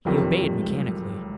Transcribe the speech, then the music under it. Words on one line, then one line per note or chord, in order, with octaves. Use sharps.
He obeyed mechanically.
F#1 F2 C3 D#3 F#3
G3
G#3
G3
F#3